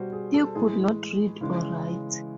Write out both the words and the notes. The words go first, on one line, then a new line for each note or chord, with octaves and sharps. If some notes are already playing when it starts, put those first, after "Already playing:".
He could not read or write.
Already playing: B2 G3 F#4 C5
G#4
A4
A2 E3 G#3 G#4
C#3 E3 G#3